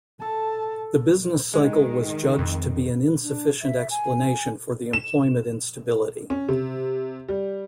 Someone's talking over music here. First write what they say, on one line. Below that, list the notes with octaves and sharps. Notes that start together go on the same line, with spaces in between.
The business cycle was judged to be an insufficient explanation for the employment instability.
A4 A5
D#3 G#3
F2
D4
E5
G#5
E7
C#4
C3
G3